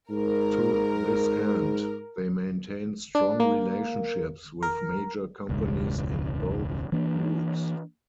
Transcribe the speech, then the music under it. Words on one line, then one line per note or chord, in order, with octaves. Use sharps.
To this end, they maintain strong relationships with major companies in both groups.
G#2 A#4
D4
A#3
A#4
E1 C#2 G#2
E3 A#3 D4